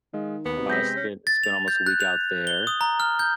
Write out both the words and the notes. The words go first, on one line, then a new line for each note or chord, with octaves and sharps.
uh, spent spent almost a week out there.
D#3 G#3 D#5 F5
D#2 B3
C3 D#4 F#4
G#3 C4 G6 A#6 B6
C#4
A6
F7
G6
F#6
F7
G7
D#6
A#5
F6
G6